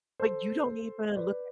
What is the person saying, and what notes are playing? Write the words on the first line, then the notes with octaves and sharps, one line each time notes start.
But you don't even look at
A4 C5
B4 D5